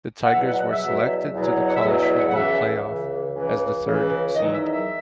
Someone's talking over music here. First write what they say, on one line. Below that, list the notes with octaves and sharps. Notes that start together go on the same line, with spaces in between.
The Tigers were selected to the College Football Playoff as the third seed.
F#5
E2 B2 F#3 E5
F#5
F#5
E5
E2 B2 F#3 E5
E2 B2 F#3
F#5
E5
E2 B2 F#3 D#5
E5
F#5
F#5
C#2 C#3 E3 E5
C#2 C#3 E3
C#2 C#3 E3
C#2 C#3 E3
E2 D#3 F#3 D#5
E5
E5